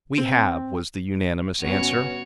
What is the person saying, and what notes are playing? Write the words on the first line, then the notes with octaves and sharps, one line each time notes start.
"We have," was the unanimous answer.
C4
G1 B3 C#4 F#4 C#5